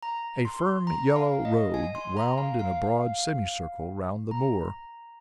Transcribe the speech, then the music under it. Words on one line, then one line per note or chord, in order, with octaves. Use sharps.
A firm yellow road wound in a broad semicircle round the moor.
A#5
C6
A#5
F5
D#5
G#5
C6
A#5
F5
F5
A#5